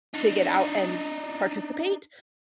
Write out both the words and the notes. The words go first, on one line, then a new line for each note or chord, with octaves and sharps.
to get out and participate.
D4 D#4